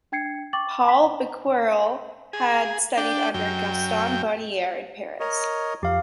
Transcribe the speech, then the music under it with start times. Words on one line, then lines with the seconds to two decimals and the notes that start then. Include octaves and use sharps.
Paul Becquerel had studied under Gaston Bonnier in Paris.
0.12 D4 G5 G#6 C7 C#7
0.53 G5 C#6 D6 A6 F#7
0.84 A5 B5 C6 B6
2.33 G#4
2.97 D4 G5
3.34 F#2 G5
5.20 A#4 C#5 D#5
5.83 F2 G4 F5